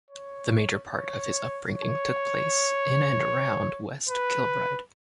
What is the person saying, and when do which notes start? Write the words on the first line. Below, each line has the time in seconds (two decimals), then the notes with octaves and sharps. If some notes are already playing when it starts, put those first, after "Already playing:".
The major part of his upbringing took place in and around West Kilbride.
0.11 C#5
0.91 C#5
1.70 C#5
4.09 B4